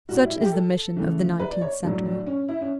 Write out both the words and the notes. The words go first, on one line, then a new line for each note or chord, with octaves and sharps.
Such is the mission of the nineteenth century.
A2 G3 F#4
E4
E4
G4
A4
C#3 E3 A3
B4
D5
C#5
A2 F#3 A3 D4
D4
C#4
E4
C#4